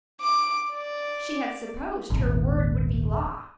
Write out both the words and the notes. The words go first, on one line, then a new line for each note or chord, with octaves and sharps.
She had supposed her word would be law.
D6
D5
D#1 G#1